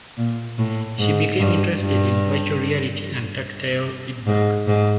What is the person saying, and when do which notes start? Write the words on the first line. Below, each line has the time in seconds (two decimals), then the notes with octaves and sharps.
She became interested in virtual reality and tactile feedback.
0.17 A#2
0.58 A2
0.99 G#2
1.40 G2
1.81 G2
4.27 G#2
4.68 G#2